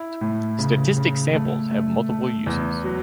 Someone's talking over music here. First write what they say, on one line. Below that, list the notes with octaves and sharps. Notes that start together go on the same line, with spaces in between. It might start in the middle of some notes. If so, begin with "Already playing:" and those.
Statistic samples have multiple uses.
Already playing: E4
A2
C#3
C#3
A3
A3
A3
E2
F#3